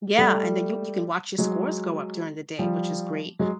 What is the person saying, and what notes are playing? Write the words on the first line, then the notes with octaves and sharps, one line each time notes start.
Yeah, and then you you can watch your scores go up during the day, which is great,
G3 A3
F#3 G#3
F3 G3
F#3 G#3